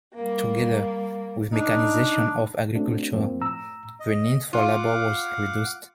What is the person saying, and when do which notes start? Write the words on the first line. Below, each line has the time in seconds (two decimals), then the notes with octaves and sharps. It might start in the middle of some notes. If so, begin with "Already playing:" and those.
Together with mechanization of agriculture, the need for labor was reduced.
0.14 G3 A#3
1.52 D4 D#4
2.75 A3 C4 D4 F#4
3.12 F#2 F3 A#3 C4
3.42 A2 A#5 E6
4.00 D#5
4.53 F4 F5 F#5 D6